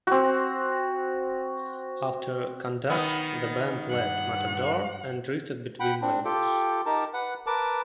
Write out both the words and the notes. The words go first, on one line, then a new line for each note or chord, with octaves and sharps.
After "Conduct", the band left Matador and drifted between labels.
C4 F#4
D#3 B3
G2 F#5
F#5 G5 B5
C4 D4
F4 G4 A4 G5
D#4 G4 A#4 A5
B4 F#5
A#4 B4 A5 D6